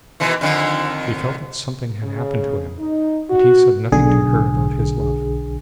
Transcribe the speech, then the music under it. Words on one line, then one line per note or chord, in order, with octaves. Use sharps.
She felt that something had happened to him, but he said nothing to her about his love.
B2 D#3 E3
F2 D3 D#3
C#3
D#4
F#4
B1 D3 G#4